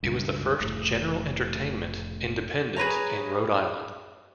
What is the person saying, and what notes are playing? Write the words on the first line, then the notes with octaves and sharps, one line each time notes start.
It was the first general-entertainment Independent in Rhode Island.
C#2 G2
F1 A2
G#4 B4 C#5 A#5